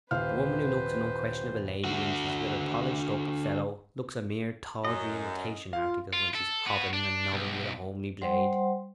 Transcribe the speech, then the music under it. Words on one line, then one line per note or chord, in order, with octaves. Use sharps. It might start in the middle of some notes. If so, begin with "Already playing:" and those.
The woman who looks an unquestionable lady when she's with a polished-up fellow, looks a mere tawdry imitation article when she's hobbing and nobbing with a homely blade.
D#1 B4 C5 F5 F6
D3 F#4
F#2 D#5
F4 F5
F4
A4
B3 F#4
D4
B1
G3 C5 F#5 C6